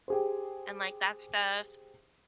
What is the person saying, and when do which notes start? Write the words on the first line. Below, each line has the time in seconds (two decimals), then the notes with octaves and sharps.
and, like, that stuff,
0.08 G4 G#4 C5